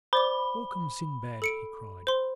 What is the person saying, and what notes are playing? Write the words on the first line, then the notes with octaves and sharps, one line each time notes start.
"Welcome, Sindbad," he cried.
C5 D5 B5 D6
A4 C#7 D7
C5 C6